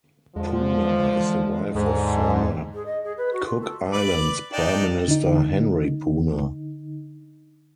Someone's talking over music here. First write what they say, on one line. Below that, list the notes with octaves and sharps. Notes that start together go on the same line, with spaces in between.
Puna is the wife of former Cook Islands Prime Minister Henry Puna.
E2 D3 F3 G#3
E3
D#2 G#2 D3
G#4
D#5
G#4
B4
F#4
F4
A4
B4 D5 D6
D4 D#4 G5
D3 D#4